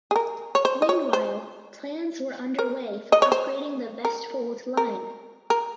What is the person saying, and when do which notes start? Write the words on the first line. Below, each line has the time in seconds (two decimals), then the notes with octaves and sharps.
Meanwhile plans were under way for upgrading the Vestfold Line.
0.11 G#4
0.16 A#4
0.55 C#5
0.65 C5
0.82 D#5
0.89 C#5
1.13 C5
2.59 A#4
3.12 D#5
3.22 C#5
3.32 C5
4.05 A#4
4.77 A#4
5.50 A#4